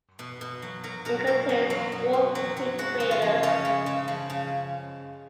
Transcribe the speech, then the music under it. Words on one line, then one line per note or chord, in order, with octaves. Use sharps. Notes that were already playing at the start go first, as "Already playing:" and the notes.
It contains Wolfe Creek crater.
B2
B2
F#3
F#3 A#4
B2 A#4
B2 A#4
F#3
F#3
B2
B2
F#3
F#3
G#3 F#4
C#3
F4
F3
C#3 C#4
G#3
C#3
F3
C#3